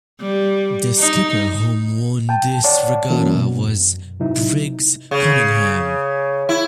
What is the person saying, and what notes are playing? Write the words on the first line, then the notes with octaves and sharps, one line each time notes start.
The skipper whom won this regatta was Briggs Cunningham.
G3
D#4
G5 A5
C#5 D5 F#5 A5
E3 A#3 C#4 F#4
B2
F#2
C3 F#3 D#4 E4
C#3
E4